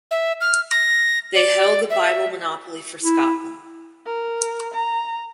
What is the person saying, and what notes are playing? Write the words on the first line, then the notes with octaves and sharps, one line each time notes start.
They held the Bible monopoly for Scotland.
E5
F6
A#6
D5
E5
E4
A#4
A#5